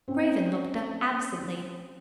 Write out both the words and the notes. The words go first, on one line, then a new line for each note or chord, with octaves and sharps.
Craven looked up absently.
C4 C#4